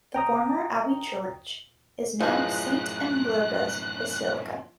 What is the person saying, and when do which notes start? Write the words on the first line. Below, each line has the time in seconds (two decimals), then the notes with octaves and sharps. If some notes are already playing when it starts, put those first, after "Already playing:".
The former abbey church is now Saint Amelberga's Basilica.
0.14 G5 A#5 D#6
2.20 F#2 A2 F3 D#4 E4 G#4 B4 F#6